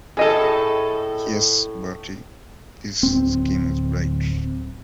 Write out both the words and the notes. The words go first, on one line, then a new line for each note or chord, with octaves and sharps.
Yes, Bertie, this scheme is bright.
A2 G#4 A4 D#5
D1 C4